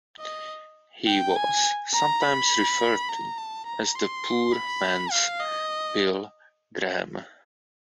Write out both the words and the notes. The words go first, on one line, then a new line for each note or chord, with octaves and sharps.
He was sometimes referred to as the poor man's Bill Graham.
D#5
G5
G#5
A#5
B5
A#5
A5
A#5
C6
B5
F5
D#5